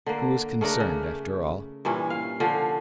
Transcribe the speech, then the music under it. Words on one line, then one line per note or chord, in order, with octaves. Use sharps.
Who was concerned, after all?
D3 A#3
C#3 A3 D4 A#4
C#3
G2 A#2 E3 C#4
F5
D3 F3 C#4